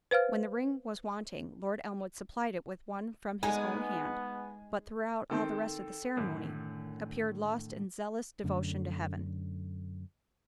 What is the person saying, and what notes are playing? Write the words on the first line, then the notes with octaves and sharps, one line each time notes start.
When the ring was wanting, Lord Elmwood supplied it with one from his own hand, but throughout all the rest of the ceremony, appeared lost in zealous devotion to Heaven.
B4 C5 F5 F6
G#3 B3 D#4 G#5
D#3 C4 A4 G5
F#2 A2 D3 D#3
F#2 D3 A3